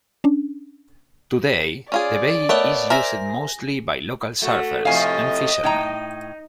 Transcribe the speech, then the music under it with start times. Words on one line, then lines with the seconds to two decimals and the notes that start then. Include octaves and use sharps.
Today, the bay is used mostly by local surfers and fisherman.
0.24 C#4 D4
1.92 C#4 F4 G#4 D5
2.49 A3 B3 A#4 C#5 D#5
2.90 A#4 C5 E5 G#5 A#6
4.42 A3 F#4
4.85 A2 C3 F3 D#5 F5 G#5
5.64 A2 D#4 G5 A#5